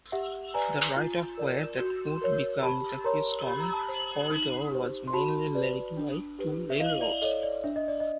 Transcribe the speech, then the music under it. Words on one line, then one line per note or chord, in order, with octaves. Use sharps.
The right-of-way that would become the Keystone Corridor was mainly laid by two railroads.
G4 E5 F#5
B4 D5 G#5 A#5
F4
A#4 D5
F#4
A#4 C#5
G4 A5 B5
A#4 C#5 A#5 C6
G4 B5
A#5
A5 B5
C5
D#4
G4 C5
C6
F#4 A5 B5
B4 D5
D4
G4 B4
E5
E4 D#5 F5
D5 E5
A4 C#5 D#5
D5
D4 E5
D#5
D5
D#5